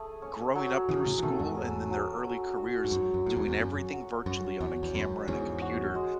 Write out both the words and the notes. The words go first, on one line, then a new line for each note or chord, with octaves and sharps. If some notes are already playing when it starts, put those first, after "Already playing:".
growing up through school and then their early careers doing everything virtually on a camera and a computer,
Already playing: A3 G#4
C#4
F#3
C#3 E3 G#4
A2 C#3
E3
B2 D#3 A3
E2 G#2
C#4
F#3
C#4
F#4
G#2
F#2 C#5
F#2
A2 C#4
E2 G#2
E2
F#2 C#4
F#4
F#2 C#5
E2 C#4
E2
F#2 B4
E2 G#2 C#4
F#4
G#3